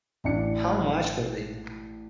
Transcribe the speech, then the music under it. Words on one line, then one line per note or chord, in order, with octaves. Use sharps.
How much was it.
A1 D4 C#7